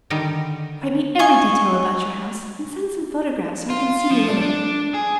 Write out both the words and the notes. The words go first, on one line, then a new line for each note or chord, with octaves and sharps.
Write me every detail about your house, and send some photographs, so I can see you in it.
D3 D#3 G3 D#4
D#5 G#5 C#6
F4
F3
D4
D4
G#4